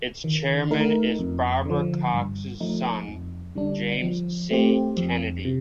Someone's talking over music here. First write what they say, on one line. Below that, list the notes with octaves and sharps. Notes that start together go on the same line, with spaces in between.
Its chairman is Barbara Cox's son, James C. Kennedy.
D#3
A3 D#4 A#4
F2
D3 F3
G2
F3 A3 D#4
F2
D3 G3 D4
F3
A3 C4 G4 C5
F2
C3